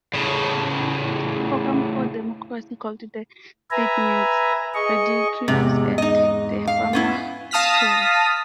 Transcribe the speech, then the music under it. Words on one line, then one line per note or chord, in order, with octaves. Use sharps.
Forum for Democracy called the statements "ridiculous and defamatory".
A2 C#3
B4 E5 G#5 A#5
G#4 D#5 C#6
E2 G#2 C3
D#4 D#5
F5
B3 C#4 E4
F5 A5 D#6 F6 A#6 B6